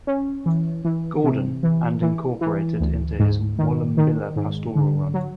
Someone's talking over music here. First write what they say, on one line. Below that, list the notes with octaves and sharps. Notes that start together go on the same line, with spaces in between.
Gordon and incorporated into his Wallumbilla pastoral run.
C#4
E3
E3
C3
E3
E3
E3
D2
G#2
D#3
D#3
G#2
D3
F#3